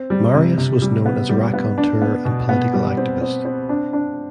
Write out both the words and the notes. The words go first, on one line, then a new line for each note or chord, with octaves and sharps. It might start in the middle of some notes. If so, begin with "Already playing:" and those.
Marius was known as a raconteur and political activist.
Already playing: C4
G3
C3
C3
G3
B3
G3
B3
D4
B3
B2
B3
G3
C4
C4
C4
D4
D4